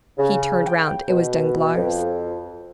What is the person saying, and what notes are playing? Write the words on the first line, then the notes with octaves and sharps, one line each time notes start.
He turned round; it was Danglars.
C#3
G5
B2
F2